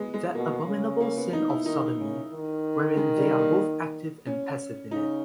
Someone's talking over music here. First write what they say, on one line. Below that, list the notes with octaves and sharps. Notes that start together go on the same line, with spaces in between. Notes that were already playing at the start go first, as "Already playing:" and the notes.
That abominable sin of sodomy, wherein they are both active and passive in it.
Already playing: G#3 B3
G#3
B2 A#3
C#3
A#3
B3
D#4
E4
D#3 D#4
C#3
D#3
G#3
G3
A#3
C#4
C#3 D#4